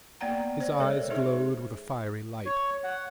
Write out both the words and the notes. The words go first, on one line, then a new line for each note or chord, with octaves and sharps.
His eyes glowed with a fiery light.
A#3 B3 D5 F#5 G5 A#5
C5 D5
G#3 A4 A#4 C#5
D#4 G#4 C5 E5
C#5
F#5